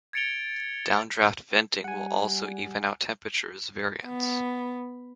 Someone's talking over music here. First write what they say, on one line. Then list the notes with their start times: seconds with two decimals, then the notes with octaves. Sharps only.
Downdraft venting will also even out temperatures variance.
0.13 G#6 A6 C#7 D7 F7 G7
1.84 G3 F#5 G#5
4.06 B3